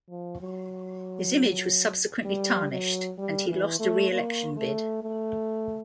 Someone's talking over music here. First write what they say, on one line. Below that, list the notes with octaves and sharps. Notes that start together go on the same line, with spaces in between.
His image was subsequently tarnished, and he lost a reelection bid.
F3
F#3
G3
F#3
G3
E3
A3
A#3
A3
A3